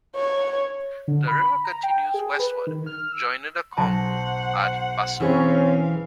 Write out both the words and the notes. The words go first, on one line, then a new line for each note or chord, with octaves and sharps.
The river continues westward, joining the Congo at Basoko.
C#5
D3
B5
A#5
G5
G#4
B4
D#3
F6
E6
B1 C5 F#5 A5 A#6
E3 C4 C#4 G#4 F5